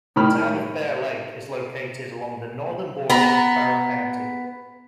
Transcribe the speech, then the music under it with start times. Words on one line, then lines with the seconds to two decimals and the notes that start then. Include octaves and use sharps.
The town of Bear Lake is located along the northern border of Barron County.
0.16 A2 D#3 B5 F6
3.10 B3 A#5